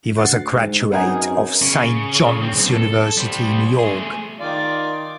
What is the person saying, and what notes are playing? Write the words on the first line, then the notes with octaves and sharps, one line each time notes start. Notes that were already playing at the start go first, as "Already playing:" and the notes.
He was a graduate of Saint John's University, New York.
D2 F#5 A6 C7
G#2
F#2 B3 C4 D#4 G#4 A#4
C#3
D2 C4
B1
A4
G3 C5
A3 G#4
D#3 F4 D5